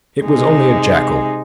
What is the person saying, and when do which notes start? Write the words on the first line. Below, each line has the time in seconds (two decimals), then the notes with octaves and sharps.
It was only a jackal.'
0.24 C3 G#3 D#4